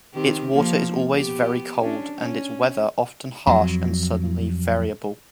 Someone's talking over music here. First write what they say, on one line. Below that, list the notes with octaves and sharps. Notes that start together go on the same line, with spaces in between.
Its water is always very cold, and its weather often harsh and suddenly variable.
D#3 C4 G4
F3 A#3
B3 G4
C#4 D4
C#4
F2 F#3